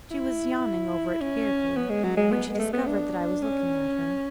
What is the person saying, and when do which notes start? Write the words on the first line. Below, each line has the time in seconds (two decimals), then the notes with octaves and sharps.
She was yawning over it fearfully, when she discovered that I was looking at her.
0.11 E4
1.21 C#4
1.77 B3
1.90 G#3
2.04 F#3
2.17 G#3
2.32 B3
2.54 G#3
2.59 A3
2.73 B3
2.87 D4
3.42 C#4